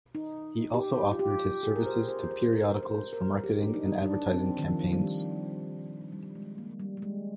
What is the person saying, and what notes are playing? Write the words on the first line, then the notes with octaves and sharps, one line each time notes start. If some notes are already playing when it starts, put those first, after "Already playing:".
He also offered his services to periodicals for marketing and advertising campaigns.
D#4
G4
F4
G4
G#4
A#4
C5
C5
C5
A#4
C5
A#4
G4
D4
D#4
D4
C4
D#3
F3
G3
G3
G#3
A#3
G3
G3
G#3